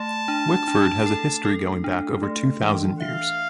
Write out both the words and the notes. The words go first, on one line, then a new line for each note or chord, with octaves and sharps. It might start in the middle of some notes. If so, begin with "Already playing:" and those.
Wickford has a history going back over two thousand years.
Already playing: A3 A5
D4
D4
A4
A4
D4
A3
E3
E5 F5